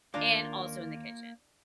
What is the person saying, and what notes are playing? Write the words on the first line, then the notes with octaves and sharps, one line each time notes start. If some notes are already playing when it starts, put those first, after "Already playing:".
and also in the kitchen.
D#2 D#3 A#3 D4 F4 A#4 A#5